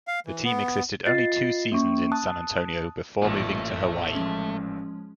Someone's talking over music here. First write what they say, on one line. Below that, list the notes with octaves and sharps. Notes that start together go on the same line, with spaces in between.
The team existed only two seasons in San Antonio before moving to Hawaii.
F5
E3
B3
F4 D#5 A6 C7
A#3 C#4 C#6
A5 D#6 F#6
A1 A#2 A3
F3 G#3 C#4